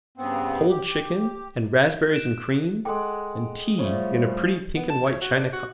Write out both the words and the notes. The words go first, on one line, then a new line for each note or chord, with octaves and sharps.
Cold chicken, and raspberries and cream, and tea in a pretty pink-and-white china cup.
G2 C#3 B3 C4
G4
F#6 D7 E7
G#3 A4 F#5 G5 D6
F3 G3 A3 C#5 D5
B3
A5
C#5
F#4
D4
F#4